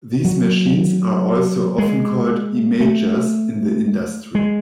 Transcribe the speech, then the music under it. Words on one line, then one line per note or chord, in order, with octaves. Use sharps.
These machines are also often called "imagers" in the industry.
F#3
G#3
A3
G#3